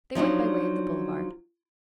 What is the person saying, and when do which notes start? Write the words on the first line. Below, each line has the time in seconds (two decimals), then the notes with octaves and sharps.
They went by way of the boulevard.
0.15 F3 F#3 D4 D#4